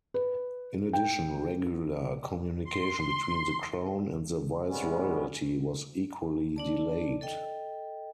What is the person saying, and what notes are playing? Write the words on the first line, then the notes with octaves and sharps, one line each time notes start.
In addition, regular communication between the Crown and the viceroyalty was equally delayed.
B4
G5
C6
G#2 C3 G3 G#3 B3 C#4
D4 D5 A5
A4 D#5 G5